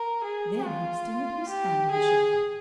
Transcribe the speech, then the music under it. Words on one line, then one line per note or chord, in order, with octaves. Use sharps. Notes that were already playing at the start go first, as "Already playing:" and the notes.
Then he extended his hand to the chauffeur.
Already playing: A#4
G#4
F4
G4
G#4